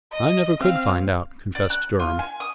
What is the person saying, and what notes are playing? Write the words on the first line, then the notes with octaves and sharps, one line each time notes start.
"I never could find out," confessed Durham.
D#5
C4 F5
D5
F#6
F4
G#5
D#6